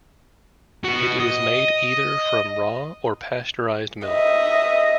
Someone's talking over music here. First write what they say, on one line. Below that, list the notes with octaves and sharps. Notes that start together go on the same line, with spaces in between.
It is made either from raw or pasteurized milk.
B2 F#4
D#5
D#5 E5